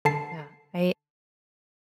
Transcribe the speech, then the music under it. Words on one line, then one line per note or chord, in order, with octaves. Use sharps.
Yeah, I
D3 A5 C7